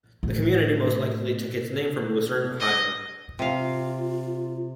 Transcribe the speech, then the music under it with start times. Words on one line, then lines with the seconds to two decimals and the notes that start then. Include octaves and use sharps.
The community most likely took its name from Lucerne, Ohio.
0.23 A2
2.60 D#5
3.39 C3 F4 F5